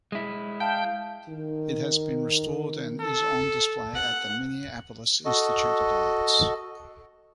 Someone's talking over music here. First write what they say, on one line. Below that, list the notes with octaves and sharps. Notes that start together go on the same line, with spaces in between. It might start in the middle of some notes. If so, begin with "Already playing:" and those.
It has been restored and is on display at the Minneapolis Institute of Arts.
G#3 E4
F5 G5 A5
D#3
A4
F#5
F#4 A4 D#5